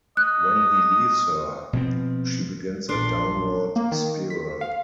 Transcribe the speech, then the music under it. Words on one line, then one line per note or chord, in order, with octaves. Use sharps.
When he leaves her, she begins a downward spiral.
D#5 F#6
B2 F3 C4
A#1 D4 C6
A#3
D#3
B6
F5